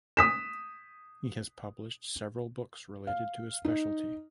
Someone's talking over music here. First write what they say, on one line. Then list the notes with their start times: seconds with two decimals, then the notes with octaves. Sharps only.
He has published several books relating to his speciality.
0.17 D#6 B6 E7
3.07 F5
3.65 D#4